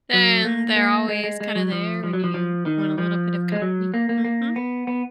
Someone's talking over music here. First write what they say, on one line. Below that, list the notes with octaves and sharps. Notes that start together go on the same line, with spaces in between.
then they're always kinda there when you want a little bit of company, mhm.
F#3
A#3
A#3
G#3
G#3
G#3
F#3
F3
F3
F#3
F3
F3
D#3
F3
G#3
F#3
A#3
A#3
A#3
B3
B3